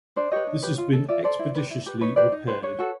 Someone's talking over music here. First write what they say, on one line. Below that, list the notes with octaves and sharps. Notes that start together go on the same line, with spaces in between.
This has been expeditiously repaired.
D4 C5 D5
G4 B4 C#5 D#5
D4
G4 B4
F4
A4
F4 D5 E5
A4 C5 D5
E4
G4 B4
E4
G4 B4
D#4 B4 C#5
G4 B4 C5 D5
D#4
G4 B4 C5
D4 B4 C#5
F#4 A4